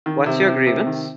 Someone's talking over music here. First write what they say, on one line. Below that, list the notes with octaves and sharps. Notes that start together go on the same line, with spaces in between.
What’s your grievance?
D#3
C3
C3
C3
D#3